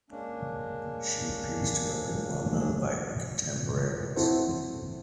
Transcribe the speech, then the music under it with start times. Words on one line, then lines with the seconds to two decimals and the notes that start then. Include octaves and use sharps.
She appears to have been well known by her contemporaries.
0.10 G#3 A#3 C#4 D4
4.16 C4 E4 F#4 A4 C5